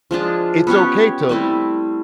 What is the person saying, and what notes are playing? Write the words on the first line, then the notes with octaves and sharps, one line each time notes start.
it's okay to l
F3 G#3 D4 F4
B3 C#4 G4 C#5
G3 A3 C4 E4